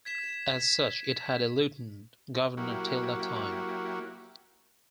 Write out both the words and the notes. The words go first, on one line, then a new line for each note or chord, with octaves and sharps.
As such it had a Lieutenant Governor till that time.
G#6 B6 E7
F#3 A#3 E4 F#4 G4